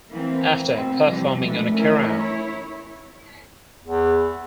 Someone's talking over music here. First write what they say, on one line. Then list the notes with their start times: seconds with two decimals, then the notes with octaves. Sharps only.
After performing on a Kerrang!
0.11 E3 A#3 C4
0.70 B2 C4
1.06 C3 E3 F3 G3
1.44 G#3 A3 D4 B4
1.74 E3 A3 C#4 E4 A#4
2.17 E4 C#5
3.85 E2